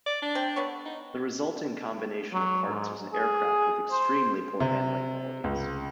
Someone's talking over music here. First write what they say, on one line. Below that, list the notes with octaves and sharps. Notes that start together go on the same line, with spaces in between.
The resulting combination of parts was an aircraft with extremely poor handling qualities.
D5
D4
C4 G5
D3 B3 C#5
D#4
F#3
G#2
G#4
C5
C3
C#2